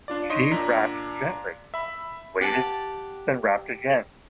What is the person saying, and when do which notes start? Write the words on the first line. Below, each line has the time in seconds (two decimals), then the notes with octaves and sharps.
She rapped gently, waited, then rapped again.
0.08 D4 F4 D5
0.30 D#4 C#5 D#5 C6
0.51 A#2 D4 A#5 B6
1.74 E5 B5
2.41 G4 F#5 G#5 A5